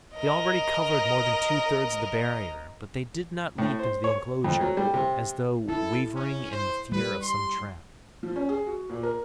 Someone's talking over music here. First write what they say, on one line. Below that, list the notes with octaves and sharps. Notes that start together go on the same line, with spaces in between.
They already covered more than two-thirds of the barrier, but they did not leap into the enclosure, as though wavering in the fear of some trap.
A#4 D#5
A2
C5
C#5
F2
F#3
G3
C3
E4 A4
C#4
C5
G3 B4
C6
F3
C#4
G#4
F#4
A#2
A#4